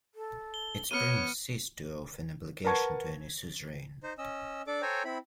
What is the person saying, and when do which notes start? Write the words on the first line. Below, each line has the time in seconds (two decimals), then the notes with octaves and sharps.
Its prince ceased to owe an obligation to any suzerain.
0.15 A4
0.54 G7
0.91 B3 C#5 F6 C#7 D#7
2.64 A#4 B4 F#5 A5 C#6 G#6
4.03 D#4 C5
4.18 C#4 D#5 E6
4.67 D4 A4 D5 D6
4.82 A4 C5 C#5 G5 G#5 A#5
5.05 C4 E4 B5